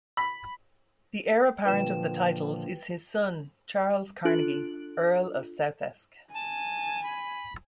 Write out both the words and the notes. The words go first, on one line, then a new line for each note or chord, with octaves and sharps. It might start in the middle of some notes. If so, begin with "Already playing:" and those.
The heir apparent of the titles is his son, Charles Carnegie, Earl of Southesk.
B5
A#2 D3 F3 B4 G5 E7
D4 F4 A4 F#6 D7 F#7
G#5 A5
B5